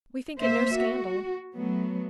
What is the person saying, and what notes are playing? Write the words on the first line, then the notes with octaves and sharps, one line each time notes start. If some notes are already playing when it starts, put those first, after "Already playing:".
We think it no scandal.
A#3 C5 E5
F#4
F#3 A3 B3